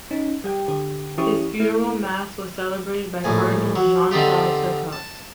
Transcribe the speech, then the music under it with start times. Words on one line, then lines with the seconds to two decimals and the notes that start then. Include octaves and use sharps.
His funeral Mass was celebrated by Cardinal Jean-Claude Turcotte.
0.11 C#4 D#4
0.44 G3 G4 G5
0.68 D3 G4
1.18 E3 C#4 E4 G4 C#6 D#6
1.60 A3 E4
3.24 A#1 A2 G#5
3.76 F#3
4.11 D3 C4 D#4 F4 G4
4.92 A5